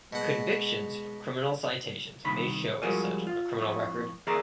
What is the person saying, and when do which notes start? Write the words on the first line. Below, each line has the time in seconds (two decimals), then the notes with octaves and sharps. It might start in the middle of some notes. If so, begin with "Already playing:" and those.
Convictions for criminal citations may show as such on a criminal record.
0.13 B2 G#3 F#5
2.24 C2 D#3 B5
2.82 F3 G3 G#3 F#4 A#4 G#5
3.27 F4
3.58 F2 A2
4.27 E3 G#4 A#4 D5 E5 A#5